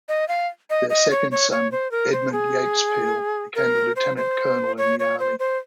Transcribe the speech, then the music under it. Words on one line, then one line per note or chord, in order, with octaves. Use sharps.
Their second son, Edmund Yates Peel, became a Lieutenant-Colonel in the Army.
D#5
F5
D#5
D#5
C#5
C#5
C#5
C5
A#4
C5
G#4
A#4
C5
C5
C#5
C#5
C5
C5